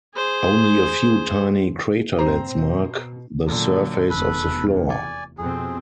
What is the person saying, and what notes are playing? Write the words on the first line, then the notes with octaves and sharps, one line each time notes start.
Only a few tiny craterlets mark the surface of the floor.
G#4 C5
G2 C4 C5 A#5
B2
A#2 D3 F#3
F1 E2 A4 B4 B5
D5 G#5
F2 B2 C4 G#4